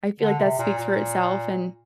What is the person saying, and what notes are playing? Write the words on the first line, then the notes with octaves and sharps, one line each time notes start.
I feel like that speaks for itself, and
D3
C3
A#2
A#2